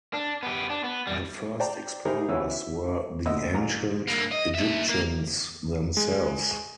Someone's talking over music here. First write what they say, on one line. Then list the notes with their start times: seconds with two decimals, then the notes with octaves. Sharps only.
The first explorers were the ancient Egyptians themselves.
0.14 D4
0.43 B3 G4
0.70 D4
0.84 B3
1.07 E2 G3
1.60 C5 D5 G5 A5 A#5
2.05 D#4 E4 G4 G#4 A#4 C5
2.29 E3 B3 C#4 E4 F#4 E6
2.51 E5
3.26 D2 A#2 F#4 D#5 E5 E6
3.54 A1 A#5
4.08 G2 A#3
4.32 D#5
4.55 A#3 E5
4.90 A#3
5.97 G#3